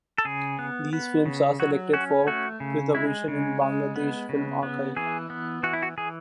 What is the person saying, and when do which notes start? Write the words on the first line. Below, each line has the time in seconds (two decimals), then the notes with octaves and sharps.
These films are selected for preservation in Bangladesh Film Archive.
0.18 A4
0.25 C#3 G#4
0.59 B3
0.93 B3
1.26 C#3
1.60 F#3 F#4
1.93 C#4 F#4
2.27 A3 F#4
2.60 C#3
2.94 G#3 E4
3.28 C#3
3.61 G#3
3.96 B3
4.29 C#3
4.63 B3
4.96 E3 G#4
5.30 B3
5.63 E3 F#4
5.73 E4
5.83 F#4
5.97 E3 G#4